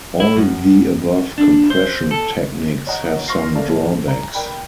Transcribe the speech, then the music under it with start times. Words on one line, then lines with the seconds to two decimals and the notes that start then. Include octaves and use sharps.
All the above compression techniques have some drawbacks.
0.20 E4
0.37 F#2
1.38 D4
1.70 C5
2.11 A4
2.87 C#5 D#5 F#5 A#5
3.28 C6 C#6 F6 A#6 C7
3.55 C#4 A4 A#4 D5 E5 F5
3.68 E2 A2 F3
4.08 A#5
4.34 A#4 D5 G5 B5